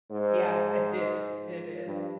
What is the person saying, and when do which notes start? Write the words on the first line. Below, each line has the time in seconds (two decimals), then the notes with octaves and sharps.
Yes, it is. It is.
0.11 G#2 C5
1.45 F3
1.87 G2